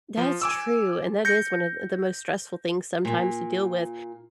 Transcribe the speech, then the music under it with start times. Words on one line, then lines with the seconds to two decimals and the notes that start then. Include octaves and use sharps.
That's true, and that is one of the the most stressful things sometimes to deal with.
0.17 F3
0.42 G#5 D6 E6
1.25 G6 A#6 C#7
3.05 A#2